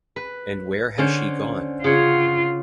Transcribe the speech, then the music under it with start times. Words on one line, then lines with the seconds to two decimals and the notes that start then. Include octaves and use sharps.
And where has she gone?
0.16 B4
0.98 D3 C#4 C5
1.84 C#3 F4 C#5 F#5